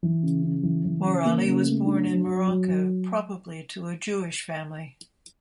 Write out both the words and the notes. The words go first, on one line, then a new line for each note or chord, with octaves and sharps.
Morali was born in Morocco, probably to a Jewish family.
E3
C#3
C#3
E3
E3
C#3
A#3
C#3
A3
D4
F#3
F#3
F#3
F#3